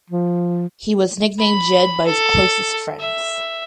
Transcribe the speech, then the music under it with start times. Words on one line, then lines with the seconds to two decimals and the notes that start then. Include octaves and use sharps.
He was nicknamed "Jed" by his closest friends.
0.10 F3
1.39 B5
2.06 A4
2.99 E5